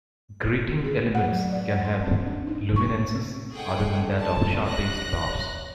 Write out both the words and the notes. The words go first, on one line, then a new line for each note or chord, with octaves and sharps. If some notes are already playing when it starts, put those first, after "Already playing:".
Grating elements can have luminances other than that of sharp-edged bars.
G#4
F#5
F#3
D5
F#5
C6
C4
D4
D#4
C#6
C4 D#4 G#4 A4 F#5 G5
A5
C#5 F#6 A#6